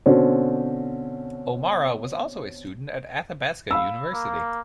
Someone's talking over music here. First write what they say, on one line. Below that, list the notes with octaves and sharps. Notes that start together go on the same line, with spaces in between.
O'Marra was also a student at Athabasca University.
B2 D3 C4 C#4
F5 B5 E6
A#3